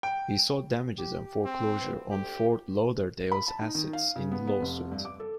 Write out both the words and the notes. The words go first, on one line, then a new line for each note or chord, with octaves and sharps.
He sought damages and foreclosure on Fort Lauderdale's assets in the lawsuit.
G5
G4
C4 G5
A#2 E3 B3
D2 G4
B5
A5
D#4
D#3
F5
C#3
B3
B3
F1
G2
D6
A4